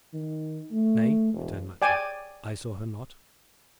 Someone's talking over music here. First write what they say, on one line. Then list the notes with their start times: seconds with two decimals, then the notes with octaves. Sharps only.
"Nay," returned Matcham, "I saw her not."
0.13 D#3
0.71 A3
1.34 E1
1.82 D5 G5 G#5 D6